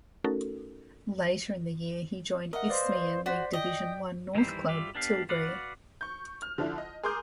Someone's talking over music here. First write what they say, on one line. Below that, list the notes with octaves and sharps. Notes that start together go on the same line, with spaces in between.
Later in the year, he joined Isthmian League Division One North club, Tilbury.
A3 C#4 D#4 F#4 A4 A#4
A#4 D#5 E5 F#5
B4 C5 D5 F5
F#4 C5 D5 B6
D#5 G5
D#3 E3 G3 E4 C5
G3 F4 E5 D6
B3 D4 G4 F5
F#4 B4 D5 F5 F#5
C#6 G6
F6
D3 F3 D4 E4
D#5
G#4 A#4 C6 D6 D#6 G6